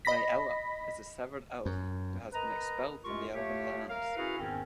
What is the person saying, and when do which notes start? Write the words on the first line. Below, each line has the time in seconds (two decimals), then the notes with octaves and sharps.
Lei'ella is a "severed elf" who has been expelled from the elven lands.
0.05 D#5 B5 A#6 B6
1.66 F#2
2.32 A#4 B4 D#5 A#5
3.04 F#2 G#3 F4 G4 A#4 C#6
3.34 A3 F4 G4 C#5
3.89 A#4 F5
4.16 C#4 E4 F#4 G#4 B4 F5
4.38 E2 G#2 D#3 C4 C#4